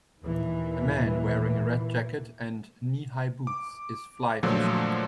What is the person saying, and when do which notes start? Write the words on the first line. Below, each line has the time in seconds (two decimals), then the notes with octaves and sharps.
A man wearing a red jacket and knee high boots is fly fishing.
0.21 D#2 A#2 E3 A#3
3.47 D6
4.43 A#2 D3 F3 F#3 A3